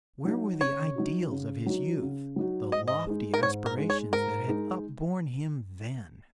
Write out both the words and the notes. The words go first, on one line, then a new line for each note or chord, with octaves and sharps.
Where were the ideals of his youth, the lofty aspirations that had upborne him then?
F#3 D#4 F#4
C#3 C#5
F#3 D#4 F#4
C#3
F#3 D#4 F#4
C#3
F#3 D#4 F#4
G#2 D#5
D#5
G#3 D#4
A#4
G#2 C#5
A#4
G#3 D#4
C#5
G#2 A#4
G#3 D#4